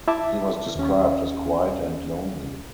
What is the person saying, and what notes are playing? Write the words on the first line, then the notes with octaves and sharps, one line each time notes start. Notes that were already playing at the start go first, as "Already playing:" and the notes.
He was described as quiet and lonely.
E4 E5 A5 D6
D#2 C#4